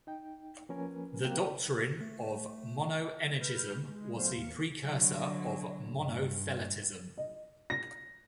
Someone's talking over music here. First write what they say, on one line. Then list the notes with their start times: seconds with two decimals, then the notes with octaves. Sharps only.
This doctrine of "Monoenergism" was the precursor of Monotheletism.
0.07 D#4 G5
0.69 F3 A#3 C#4 A#4 B4 G#5
1.25 F#3 A#3 C4 G5 F#6
1.37 B4
2.01 A3
3.40 B4 F6 G6
3.88 G#3
4.15 F#3 A3 B3 C5 F5 C6
4.36 D#2 A#3 F5 C#7
4.82 D3 F#3
5.95 G2
7.17 D#5
7.70 A#6